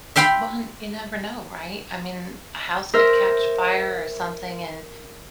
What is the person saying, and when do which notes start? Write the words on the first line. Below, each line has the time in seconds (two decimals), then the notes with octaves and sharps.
Well, you never know, right? I mean, a house could catch fire or something, and
0.16 E5 F5 G5 B5 C6
2.94 A#4 C5 E5 E6